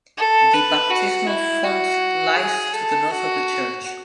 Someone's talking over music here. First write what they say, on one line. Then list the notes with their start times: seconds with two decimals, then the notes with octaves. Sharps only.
The baptismal font lies to the north of the church.
0.17 A4
0.54 B4
0.90 F#4
1.26 E4
1.64 F#4
2.36 G#4
2.73 A4
3.10 F#4